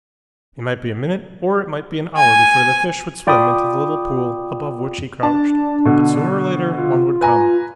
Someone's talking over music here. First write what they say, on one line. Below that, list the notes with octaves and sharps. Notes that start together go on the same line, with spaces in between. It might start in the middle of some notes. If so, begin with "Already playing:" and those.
It might be a minute or it might be an hour before the fish would swim into the little pool above which he crouched, but sooner or later one would come.
G#5
F4 D5 G5 B5 D6 D#6
D4 A5
B2 D3
F4
B4 G#5 A#5